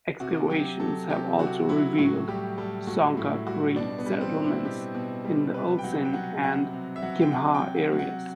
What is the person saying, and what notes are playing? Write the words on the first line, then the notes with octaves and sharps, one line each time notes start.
Excavations have also revealed Songguk-ri settlements in the Ulsan and Gimhae areas.
C3 F#4
F#3 G4
F#3 A4
C3 G4
C3 F#4
F#3 E4
A2 F#4
G3 G4
G3 A4
A2 F#4
A2 E4
G3 F#4
B2 D4
B3
G3
C4
G3
E4
B2 G4
B2
G3
C3 B4
G5
F#3 F#5
G5
F#3 F#5
C3 F#5
C3
E5
F#3 F#5
G5
C3 F#5
G5
F#3
F#5
F#3
F#5